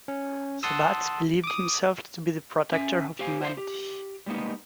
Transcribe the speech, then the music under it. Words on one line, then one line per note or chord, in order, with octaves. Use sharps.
Sabbath believed himself to be the protector of humanity.
C#4
F#5 A5 C6 D#6 E6
D6 D#6
C#4 E5 G#5
G4 C5 F5 G5 G#5
C5 D5 E5 F5 C6
G4
G3 G#3 A#3 B3 D#4